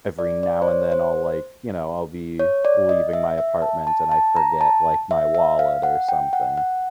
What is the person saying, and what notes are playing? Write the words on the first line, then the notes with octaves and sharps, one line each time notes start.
every now and then I'll like, you know, I'll be leaving my apartment and I forget, like, my wallet or something,
D5
D5
C5
C#5
C5
C#5
D5
D#5
E5
E5
A5
A5
A5
A#5
A5
E5
E5
F5
F#5
G5
F#5
F#5